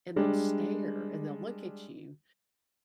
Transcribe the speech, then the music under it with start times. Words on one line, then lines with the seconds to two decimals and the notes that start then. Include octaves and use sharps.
and they'll stare, and they'll look at you.
0.16 G3 G#3 D4